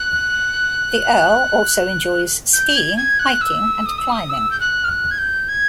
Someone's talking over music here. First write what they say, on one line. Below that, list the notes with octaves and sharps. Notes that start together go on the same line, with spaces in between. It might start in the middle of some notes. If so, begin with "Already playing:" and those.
The earl also enjoys skiing, hiking, and climbing.
Already playing: F#6
G6
G#6
G#6
F#6
E6
D#6
E6
D#6
E6
G6
F#6
F6
F#6
G#6
G6
G#6